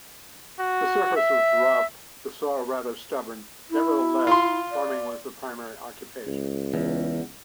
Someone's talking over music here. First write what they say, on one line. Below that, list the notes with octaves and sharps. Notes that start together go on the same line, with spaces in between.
The surface was rough, the soil rather stubborn; nevertheless, farming was the primary occupation.
F#4
E5
E4
F4 C6
D5
C#2
E2